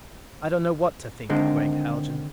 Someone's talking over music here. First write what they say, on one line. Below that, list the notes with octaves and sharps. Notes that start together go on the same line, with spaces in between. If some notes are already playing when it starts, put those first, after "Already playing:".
"I don't know what to think, Gregg Haljan...."
D3 D#3 G#3 C4